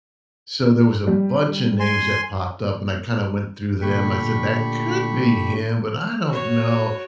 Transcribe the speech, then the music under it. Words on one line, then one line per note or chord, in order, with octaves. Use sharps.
so there was a bunch o' names that popped up and I kinda went through them. I said, "That could be him, but I don't know,"
G3
G#5 C6
A#2 D3 A3 G4 B5 C#6
F#4 C#5